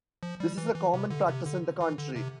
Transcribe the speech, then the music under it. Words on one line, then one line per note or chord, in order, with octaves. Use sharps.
This is a common practice in the country.
F3
G3
E3
E3
C3
D3
C3
D3
E3
D3
C3